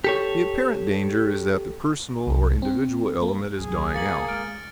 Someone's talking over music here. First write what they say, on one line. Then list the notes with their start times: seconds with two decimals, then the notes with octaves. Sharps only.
The apparent danger is that the personal or individual element is dying out.
0.04 G4 A4 C#5
2.27 C2
2.62 C4
3.22 A#3
3.60 C2 F#3 G#4
3.94 D2 G3 A#3 A6 C#7 F#7
4.28 G#3 F6 A6 D7